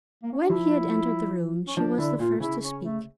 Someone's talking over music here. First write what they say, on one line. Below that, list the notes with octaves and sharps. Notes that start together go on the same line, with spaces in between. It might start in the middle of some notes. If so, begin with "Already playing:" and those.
When he had entered the room she was the first to speak.
A#3
C#4
D4
F3 E4
C#4
F3 D4
D3 E4
A#2 F4
C#3 E4
C#4
A3